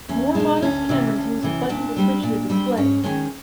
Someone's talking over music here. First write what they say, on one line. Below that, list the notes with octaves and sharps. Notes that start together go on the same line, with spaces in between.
More modest cameras use a button to switch the display.
E2 C#4
B2 G#3 D4
D2 C#4
C3 E3
D2
C3 E3
A#2 D4
G3 C4
A#2
G3 C4
G#2 C#4
D#3 G#3 C#4